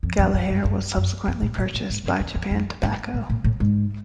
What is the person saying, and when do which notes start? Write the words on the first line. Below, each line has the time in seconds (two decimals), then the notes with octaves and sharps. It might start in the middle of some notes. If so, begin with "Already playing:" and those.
Gallaher was subsequently purchased by Japan Tobacco.
0.03 F2
0.18 F2
0.34 F#2
0.49 G2
0.65 G2
0.97 F#2
1.27 F2
1.42 A2
1.58 A2
1.74 A2
1.90 G#2
2.04 G2
2.20 E2
2.35 F2
2.51 F#2
2.83 G#2
3.14 A2
3.30 A2
3.44 A2
3.60 G#2